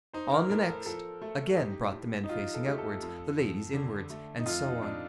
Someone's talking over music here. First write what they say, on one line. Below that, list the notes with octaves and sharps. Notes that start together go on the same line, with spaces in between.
"On the next!"--again brought the men facing outwards, the ladies inwards--and so on.
D#4 C5
A#4
A2 A#4
A4
F3 A4
A3
A4
D#4 G4
A2
D#4
F3 F4
A4
A3 G4
A4
F2
F2
D3
A3
D#4
F2 F4
D#4
F2 D4